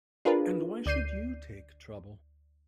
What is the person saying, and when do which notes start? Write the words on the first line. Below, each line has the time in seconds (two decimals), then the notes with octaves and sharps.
And why should you take trouble?
0.25 D4 F4 G#4 A#4 B4
0.86 D2 D5 G6 C7 D#7